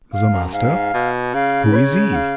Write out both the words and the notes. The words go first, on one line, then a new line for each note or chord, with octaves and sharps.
"The master?--who is he?"
F5
F#2
G#2 F5
B2
C#3 F5
B4
C#5
F#5
F5